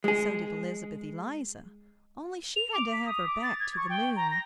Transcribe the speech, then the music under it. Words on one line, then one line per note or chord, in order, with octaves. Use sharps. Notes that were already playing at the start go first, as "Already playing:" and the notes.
So did Elizabeth Eliza, only she had to have her back to the moon.
G#3 G#4
F7
D6
B6
D#6
D6
A6
G#6
C#6
G5
A#5
A#6